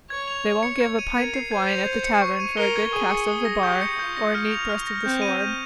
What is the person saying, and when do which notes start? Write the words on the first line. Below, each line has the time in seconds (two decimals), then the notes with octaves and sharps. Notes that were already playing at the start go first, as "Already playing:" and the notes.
They won't give a pint of wine at the tavern for a good cast of the bar or a neat thrust of the sword.
0.10 C#5 G#6
0.28 F7
0.46 G#6
0.63 C#7
0.81 G#6
0.99 D#7
1.16 A#4 G#6
1.34 C7
1.51 C5 G#6
1.69 F7
1.87 G#6
2.04 C#7
2.22 C#6
2.40 D#7
2.57 A#4 G7
2.76 G#6
2.93 G#4 D#6
3.10 C#7
3.28 D#6
3.45 A#6
3.63 G4 G6
3.81 C#7
3.99 F4 G6
4.16 A#6
4.35 F6
4.51 F7
4.69 F6
4.87 A#6
5.05 C4 G6
5.22 D#7
5.40 G6